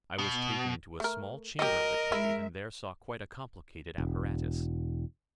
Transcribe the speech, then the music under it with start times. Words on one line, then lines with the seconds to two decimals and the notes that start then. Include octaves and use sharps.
I was taken into a small chamber of the cave, and there saw quite a complicated apparatus.
0.18 B2
1.00 A3 A#4
1.59 F#3 G4 A#4 D#5
2.12 G#3 E4 E5
3.98 E1